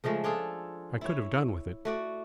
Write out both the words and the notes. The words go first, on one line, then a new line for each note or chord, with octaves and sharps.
I could have done with it.
C#3 F3 G#3 A3
D4 F4 G#4 A4
E4 C#5
A3 F#4 D5